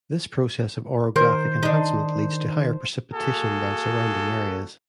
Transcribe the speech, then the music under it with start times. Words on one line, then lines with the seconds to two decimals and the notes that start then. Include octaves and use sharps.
This process of orographic enhancement leads to higher precipitation than surrounding areas.
1.16 D#3 A#4 C5
1.63 D4 D#4
3.13 A#3 F#4 G#4 A4